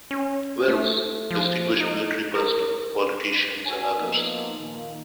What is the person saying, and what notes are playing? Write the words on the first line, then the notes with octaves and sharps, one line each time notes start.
Wells, distinguished military personnel, politicians, and others.
C#4
A3
F3
D#4
A#4
C#4 F#4 A4 C#5 G#5
F3 A#3 B3 D#4
A#2 D#3 A#3